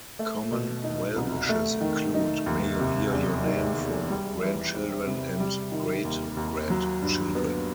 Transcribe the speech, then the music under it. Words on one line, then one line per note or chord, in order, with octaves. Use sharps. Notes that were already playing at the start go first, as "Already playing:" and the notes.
Common well-wishes include May you hear your name from grandchildren and great-grandchildren!
A3
B2
D#4
C2
A3
D#3
D#4
D#2
C3
E2
D#3
E1
G3
E3
C4
C3
G3
D#3
D#2
D#2
F#3
G2
B3